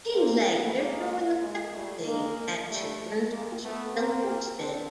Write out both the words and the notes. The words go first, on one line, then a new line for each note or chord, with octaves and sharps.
He later joined the faculty at Children's Hospital Boston.
A#3 C4
A3 B3
G#3 A#3
G#3 A#3
G3 A3
G#3 A#3
G3 A3
G#3 A#3
A3 B3
A#3 C4
C4 D4